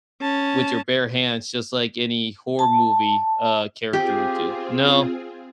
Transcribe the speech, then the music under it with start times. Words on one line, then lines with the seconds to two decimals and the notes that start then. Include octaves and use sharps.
with your bare hands, just like any horror movie, uh, character would do. No,
0.21 C#4 A5
2.59 A5
3.93 C4 F4 G4 G#4